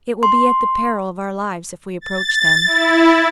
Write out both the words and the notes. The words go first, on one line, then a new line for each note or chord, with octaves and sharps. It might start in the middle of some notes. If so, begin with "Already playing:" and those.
It will be at the peril of our lives if we approach them.
C6
A6
E4